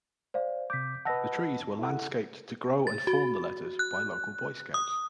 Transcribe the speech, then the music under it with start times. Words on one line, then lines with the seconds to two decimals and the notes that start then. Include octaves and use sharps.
The trees were landscaped to grow and form the letters by local Boy Scouts.
0.34 C5 D5 F5
0.70 C3 D6 G6 B6
1.05 B4 D#5 F#5 A5 E6 A#6
1.79 E4 A4 F#5
2.87 A6
3.07 F#4
3.79 F#6
4.74 D#6